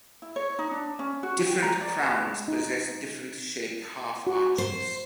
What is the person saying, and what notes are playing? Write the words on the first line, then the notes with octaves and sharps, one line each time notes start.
Different crowns possess different shaped half arches.
E4
C#5
D#4
D4
C#4
F#4
G5
A#5
D5
B4
D#4
F#4
C5